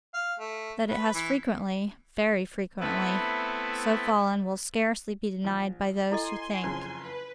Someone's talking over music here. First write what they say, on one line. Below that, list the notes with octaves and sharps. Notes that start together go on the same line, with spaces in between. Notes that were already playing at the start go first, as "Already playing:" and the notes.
That it has frequently, very frequently, so fallen will scarcely be denied by those who think.
F5
A3
B4
E3
A3 B3 C4 E4 A4 B4
A#1
E4 A4 D#5 G#5 C6
F#1 F2 C#3
B4